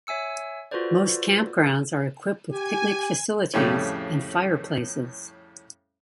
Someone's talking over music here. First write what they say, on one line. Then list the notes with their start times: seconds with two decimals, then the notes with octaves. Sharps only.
Most campgrounds are equipped with picnic facilities and fireplaces.
0.07 C#5 E5 G#5 E6 C#7
0.71 F4 F#4 A4 B4 C5 D5
2.51 G4 G#5
3.54 F2 A2 C#3 G3 A3 C#4